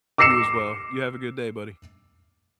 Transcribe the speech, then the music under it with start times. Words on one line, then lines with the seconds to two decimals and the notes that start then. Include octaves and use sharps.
You as well. You have a good day, buddy.
0.18 D6 E6 A#6 C7 C#7 E7